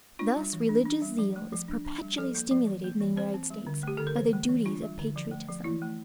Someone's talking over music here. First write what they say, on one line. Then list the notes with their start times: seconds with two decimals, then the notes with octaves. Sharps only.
Thus religious zeal is perpetually stimulated in the United States by the duties of patriotism.
0.19 D4 F4
0.36 G3
0.53 E3
0.69 D4
0.86 D4
1.02 G3
1.19 F3
1.36 A3
1.52 F3
1.68 D4
1.85 D4
2.02 G3
2.18 F3 A4
2.35 A#3
2.51 F3
2.67 E3
2.84 A#3
3.00 E3
3.16 C4 C5
3.34 C4
3.50 G3
3.67 D3
3.83 A3 G4
3.97 D3 A4
4.07 A#4
4.16 E3 C5
4.33 A3
4.49 E3
4.65 D4 F4
4.83 G3
4.99 D3
5.16 F3
5.31 A3
5.48 F3
5.64 E3 E4
5.82 A3